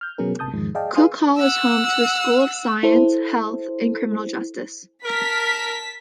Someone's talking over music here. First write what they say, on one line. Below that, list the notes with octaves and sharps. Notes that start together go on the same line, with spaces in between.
Cook Hall is home to the School of Science, Health and Criminal Justice.
F6 G6
B2 F#3 B3 C#4 G#4 A#4
G#1 C3 A5 D#6 G6
E2 G#2 D#3 F3 G#3
G#4 D5 D#5 F5 G5 A5
G#4 B4 F5 G#5 C6 D#6
F#5 E6
E4 A4 C5
A#4 A5 B6